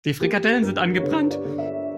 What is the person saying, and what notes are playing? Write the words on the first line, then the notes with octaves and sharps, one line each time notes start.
Die Frikadellen sind angebrannt.
A#3 G4
G2 A#4
C#5
D3 B4
D5
D3
E5